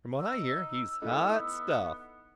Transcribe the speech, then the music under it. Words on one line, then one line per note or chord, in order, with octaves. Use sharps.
"From what I hear, he's hot stuff!"
D#4 E6
A3 B3 D#4 E4